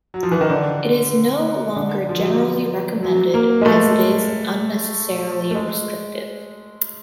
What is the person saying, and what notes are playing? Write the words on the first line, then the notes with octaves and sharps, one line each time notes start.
It is no longer generally recommended as it is unnecessarily restrictive.
F#3
F3
E3
D#3
D3
D3
F3
F#3
F#3
A#3
G#3
A3
A3
G#3